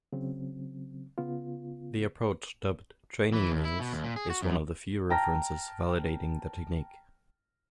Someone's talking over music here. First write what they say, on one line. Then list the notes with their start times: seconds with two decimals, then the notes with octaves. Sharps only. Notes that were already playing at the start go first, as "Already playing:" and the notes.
The approach dubbed "training wheels" is one of the few references validating the technique.
0.13 C#3 F#3 C4
1.18 C#3 B3 F4
3.33 E3
3.51 D#2
3.65 E4
3.80 B2
3.93 D#2
4.04 A#2
4.16 G#4
4.30 F#4
4.42 F#2
5.10 G5 A5 A#5 F6 A#6